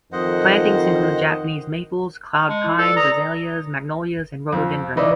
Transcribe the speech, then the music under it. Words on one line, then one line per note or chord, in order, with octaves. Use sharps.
Plantings include Japanese maples, cloud pines, azaleas, magnolias, and rhododendrons.
F2 D#3 C5 D#5 F#5
G#3 A5 C#7
E4
A4 B4 D5
D5 A#5 D#6
F2
C#3 E3 D#4 E4 B4 D5